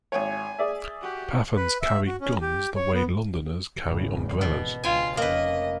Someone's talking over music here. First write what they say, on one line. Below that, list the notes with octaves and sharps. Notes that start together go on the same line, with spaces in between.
Pathans carry guns the way Londoners carry umbrellas.
G#1 C#5 G#5
G#4 D5 E5
F#4 G4
B4
E5
F#4
C#4
G4
C#5
B3
G#1 E2 C#3
B2
C#2 D3 F4 G5 G#5
F1 A#3 C#4 B4 D#5